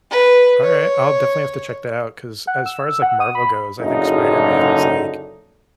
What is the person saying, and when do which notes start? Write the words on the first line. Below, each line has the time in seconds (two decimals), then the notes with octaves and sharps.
All right, I'll definitely have to check that out, 'cause as far as, like, Marvel goes, I think Spider-Man is, like,
0.10 B4
0.62 C#5
2.47 F#5
2.66 E6
3.02 F#5
3.20 D#6
3.35 B5
3.80 F#1 D3 D#4